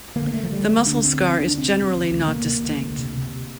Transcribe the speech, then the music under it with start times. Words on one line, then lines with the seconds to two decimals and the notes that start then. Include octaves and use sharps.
The muscle scar is generally not distinct.
0.16 D3 A#3
0.33 D3 A3
0.43 F3
0.51 D2 G3
0.69 D2 A3
0.87 D3 D4
1.04 D3 C4
1.22 D2 C4
1.40 D2 D4
1.57 C3 C4
1.75 C3
1.93 D2
2.11 D2
2.28 C3 A#3
2.46 C3
2.64 D2
2.81 D2
2.99 C3
3.17 C3